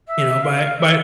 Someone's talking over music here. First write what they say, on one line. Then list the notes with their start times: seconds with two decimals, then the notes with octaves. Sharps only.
You know, by by
0.07 E5
0.42 F5
0.78 E5